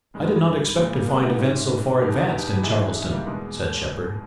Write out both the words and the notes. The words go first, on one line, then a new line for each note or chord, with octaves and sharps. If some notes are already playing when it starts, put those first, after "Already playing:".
"I did not expect to find events so far advanced in Charleston," said Shepard.
G2 D#3 G#3
G#3
G3
A#2 G#3
G3 A#3
G#3 B3
B3 D#4
G#2 D#3 C#4 E4
E2 B2 D#4 G4
B3 D#4
D#4 G4
D#4 G4
G#2 E3 E4 G#4
E4 G#4
G3 A#3
E2 B2 G#3